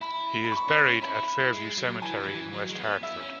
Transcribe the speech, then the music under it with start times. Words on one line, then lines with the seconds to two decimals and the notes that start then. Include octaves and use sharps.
He is buried at Fairview Cemetery in West Hartford.
0.01 E4 B5
0.44 B5
0.52 C#6
0.68 C#4
0.86 C#4
1.02 E4 B5
1.15 E4
1.40 E4
1.53 G#3
1.78 F#3
2.02 E3 G#5
2.20 F#3
2.28 E3
2.53 F#3
2.69 G#3
2.78 B3
3.03 E4 E5
3.19 C#4